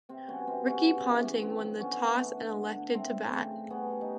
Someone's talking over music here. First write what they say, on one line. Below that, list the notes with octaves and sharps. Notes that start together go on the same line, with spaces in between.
Ricky Ponting won the toss and elected to bat.
C3 C4
F#3 B3 C#4
C3 C4
C#3 B3 C#4
C#3
E3
E3
D3 C4
F3
D3 B3 C#4
A3
D3
D3
D3
D3
A3 C4
A3
C#3 C4
C#3
G3 B3 C#4
G3
D#4